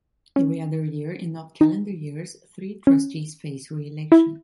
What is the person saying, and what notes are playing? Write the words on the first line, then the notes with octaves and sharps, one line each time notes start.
Every other year, in odd calendar years, three trustees face re-election.
C#4
D#4
C#4
E4